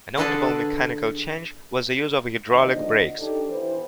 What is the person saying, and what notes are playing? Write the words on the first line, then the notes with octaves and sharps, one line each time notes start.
A notable mechanical change was the use of hydraulic brakes.
D3 D4 G#4 A4 B4 A5
D#2 D3 F3 D#4 D#5
D4 D#4 G4 A4
E3 B3 C5